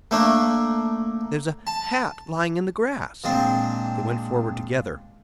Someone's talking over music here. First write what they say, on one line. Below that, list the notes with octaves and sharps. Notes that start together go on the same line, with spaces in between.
There is a hat lying in the grass.’ They went forward together.
A3 A#3 D4
A5
A#2 G#3 C4 D4